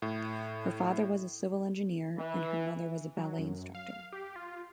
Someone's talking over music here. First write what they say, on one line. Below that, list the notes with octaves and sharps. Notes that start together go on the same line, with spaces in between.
Her father was a civil engineer and her mother was a ballet instructor.
A2
E3
F#3
F#2
F5
G4
F4